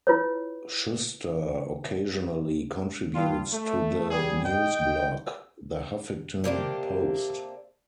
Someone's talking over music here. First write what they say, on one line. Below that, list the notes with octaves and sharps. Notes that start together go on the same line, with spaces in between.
Shuster occasionally contributes to the news blog, "The Huffington Post".
E4 F4 B4 C#5
G2 F4
A3
G3 G#4
D#5 G5
C3 A#3 D4 G4